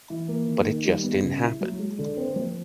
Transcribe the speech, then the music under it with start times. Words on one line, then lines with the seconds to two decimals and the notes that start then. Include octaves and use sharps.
But it just didn't happen.
0.10 E3
0.28 A#3
0.47 D#3
0.66 D#3
0.85 G3
1.03 B3
1.23 C#3
1.42 E4
1.61 F#3
1.79 G#3
1.98 D3
2.17 C4
2.36 F3